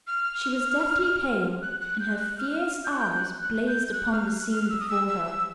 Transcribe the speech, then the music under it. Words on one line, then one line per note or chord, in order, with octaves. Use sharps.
She was deathly pale, and her fierce eyes blazed upon the scene before her.
F6
F#6
F#6
G6
F#6
F6
G6
F#6
G6
F#6
F#6
G6
F#6
F6
F#6
F6
E6
D#6
E6
E6